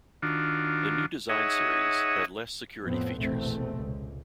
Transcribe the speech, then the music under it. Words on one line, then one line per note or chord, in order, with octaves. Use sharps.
The New Design Series had less security features.
D#3 D4 F4 F#4
D#4 G#4 C#5 D#5 E5 F#5
F2 A2 F3 B3 C4
F1 A#1 E2 B2 A3 C4
C#2